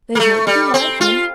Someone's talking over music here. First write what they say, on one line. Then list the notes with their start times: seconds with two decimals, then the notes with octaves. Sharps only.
There's nobody like him.
0.15 A#3
0.20 A3
0.47 G3
0.74 C4
1.01 F4